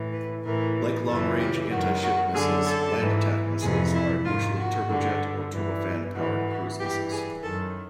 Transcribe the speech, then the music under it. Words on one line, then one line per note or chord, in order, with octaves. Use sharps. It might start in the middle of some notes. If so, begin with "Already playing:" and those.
Like long-range anti-ship missiles, land-attack missiles are usually turbojet or turbofan powered cruise missiles.
Already playing: A2 E3
B4
A2 E3 A#4
F#2 C#3 E3 A4
G4
F#2 D#3 F#4
F#4
F#2 D3 G#4
A4
G#2 E3
F2 C3 E3 G#4
E4
G#2 D#3 F4
F#4
G2 D3
G2 E3
G#2 E3 F#4
F#4
G2 E3 G4
G#4
F#2 D#3 A4